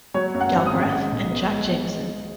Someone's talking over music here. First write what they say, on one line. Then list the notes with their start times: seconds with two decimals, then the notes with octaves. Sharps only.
Galbreath and Jack Jamison.
0.14 F#3 C#5
0.34 F#2
0.41 F#5
0.54 G#1
0.66 D#6
0.72 G#1
0.92 G#3
1.12 B1
1.31 B3
1.50 G#3
1.70 B3
1.89 G#3
2.08 G#3